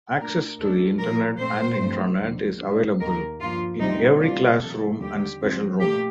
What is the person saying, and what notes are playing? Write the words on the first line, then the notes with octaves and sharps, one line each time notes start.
Access to the Internet and Intranet is available in every classroom and special room.
A#2 A3 D4 A#4
D#2 D#3 A3 D4 A4
A#2 F3 A#3 A#4
A#2 A3 C4 C5
G2 F3 A3 C4
D#2 D3 F3
A#2 A3 D4
D#2 D#3 A#3 A#4
G2 F3 A#3 F4
D2 C3 G3 C4 D#4
C3 G3 A#3 D4 F4
F2 C3 D#3 A#3 A4
D#2 D3 G3 G4
F2 D3 F3 C4
A#2 A3 G4